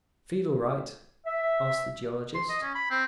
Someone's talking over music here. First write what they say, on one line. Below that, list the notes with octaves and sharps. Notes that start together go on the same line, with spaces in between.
"Feel all right?" asked the geologist.
E5
C6
D#5
C#4
B5
C4